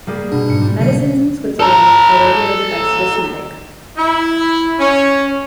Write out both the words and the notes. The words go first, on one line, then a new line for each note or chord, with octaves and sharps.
Medicines in Switzerland are regulated by Swissmedic.
G3 A#3 G#4
B2 D4
G#2 C#7
G3
B2 D3 F#3 C#4
A4 A#5
E4
C#4